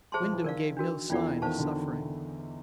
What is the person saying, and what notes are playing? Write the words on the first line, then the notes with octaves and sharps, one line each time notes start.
Wyndham gave no sign of suffering.
G#4 C5 E5 A5 C6
F3
E3
D#3 A#4 D5 F5
D4 F#4 A#4
E2 E3 C#4 F4 A4 D5 F#5
D#3 C5 F5 A5 C#6
D3